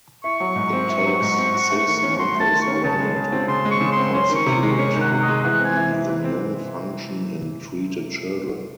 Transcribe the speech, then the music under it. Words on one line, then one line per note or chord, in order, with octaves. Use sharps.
It takes six months or longer to reconstitute the immune function in treated children.
E4 C#6
F#3
G#2
C4
E4
F#3
G#2
C4
F#4
A3
D#3
C#4
F#4 C6
A3
A5
D#3
C#6
C#4
C#3 A5
G#3
C#3
C4
C#3 C6
G#3
C#6
C#3
C6
C4
C#4 C6
D#3
C#6
C3
G#3
C#4 C#6
D#3
F#5
C3
D#5
G#3
E3 F#5
C4
G#5
E3
E4
E3
C4